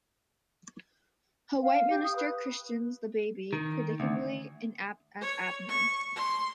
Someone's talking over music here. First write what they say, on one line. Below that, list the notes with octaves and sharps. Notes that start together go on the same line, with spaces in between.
A white minister christens the baby, predictably, as Abner.
F5
G4
D#6
B4
D#3
D2
C#5
C#6
C6